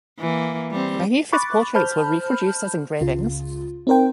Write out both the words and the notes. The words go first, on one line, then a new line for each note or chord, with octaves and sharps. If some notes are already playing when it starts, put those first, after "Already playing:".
Many of his portraits were reproduced as engravings.
E3 A#3
G3 C4
B5 C#6 D6 F#6 A6
C5 A5 B5 F6 G6
C#2 C#3 F4
C4 D#4 A#4 C5 G5